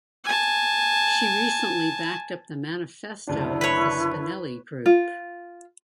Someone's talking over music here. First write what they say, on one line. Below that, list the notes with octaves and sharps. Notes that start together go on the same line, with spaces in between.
She recently backed up the Manifesto of the Spinelli Group.
G#5 A5
F#1 D2 D4 E4
B4 C#5
F4